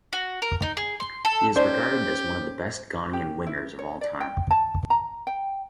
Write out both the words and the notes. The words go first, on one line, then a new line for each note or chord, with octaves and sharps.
He is regarded as one of the best Ghanaian wingers of all time.
F#4
A#4
D#4
G#4
C6
A4
C#4 D#4 G4 A4 C5 D5
G4
E4
C#5
D5
G5
A5
A#5
G5